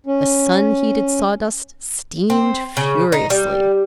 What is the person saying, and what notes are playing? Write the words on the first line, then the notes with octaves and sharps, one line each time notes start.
The sun-heated sawdust steamed furiously.
C#4
C4
C#3
D#4
G3